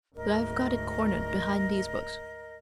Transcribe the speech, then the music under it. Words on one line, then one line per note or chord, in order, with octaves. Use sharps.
But I've got it cornered behind these books.
D2 G#2 A#4 D#5